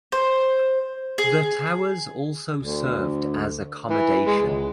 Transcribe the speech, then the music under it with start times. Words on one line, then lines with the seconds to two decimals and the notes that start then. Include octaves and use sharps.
The towers also served as accommodation.
0.12 C5
1.18 G#4
2.63 D2
3.90 E3
4.26 G#3
4.42 C#2